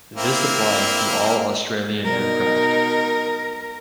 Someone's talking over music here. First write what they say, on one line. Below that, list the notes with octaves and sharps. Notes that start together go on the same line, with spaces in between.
This applies to all Australian aircraft.
A#3 C4 E4
B2 D#4 A#4